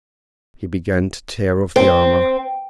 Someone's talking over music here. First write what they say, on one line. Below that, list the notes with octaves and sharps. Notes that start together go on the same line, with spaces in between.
He began to tear off the armor.
C4